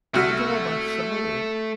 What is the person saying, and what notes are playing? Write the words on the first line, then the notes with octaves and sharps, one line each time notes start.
"With all my soul."
C2 A3 F#4 F6